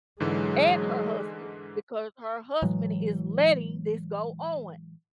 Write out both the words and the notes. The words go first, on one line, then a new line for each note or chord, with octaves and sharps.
and her husband, because her husband is letting this go on.
G#2 D3 E3 F#3 G#3
A2 E3 F#3 G#3